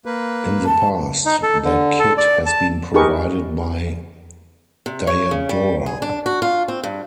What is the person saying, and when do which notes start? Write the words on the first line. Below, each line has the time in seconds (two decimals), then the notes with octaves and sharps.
In the past, the kit has been provided by Diadora.
0.05 A#3 B4
0.65 A5
1.25 D#4
1.43 A4
1.64 D3
1.99 A4
2.18 D5
2.46 A5
2.94 D#4 G4 G#4 A#4 B4 C#6
4.86 C3
5.07 C#5
5.31 C#3
5.49 G3
5.86 G#4
6.02 D4
6.26 F#4
6.42 F4
6.68 C4
6.83 G2